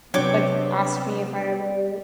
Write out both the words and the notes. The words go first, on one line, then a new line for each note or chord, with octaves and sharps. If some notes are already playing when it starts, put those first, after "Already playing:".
like, asked me if I ever
C3 F#3 B3 C4 D4 C#5 G5 D6